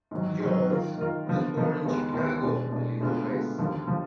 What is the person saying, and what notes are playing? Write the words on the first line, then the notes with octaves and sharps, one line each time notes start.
Jones was born in Chicago, Illinois.
G#2 D#3 F#3
G#2 D#3 F#3
D#3 A#3 F4 A#4
D#3 A#3 F4 A#4
D3 F3 B3
D3 F3 B3
D#2 D#3 G#3 B3
D#2 D#3 G#3 B3
B2 G#3 D4
B2 G#3 D4
D2 D3 G#3 B3 F4
D2 D3 G#3 B3 F4
D#2 D3 F3
D3 F3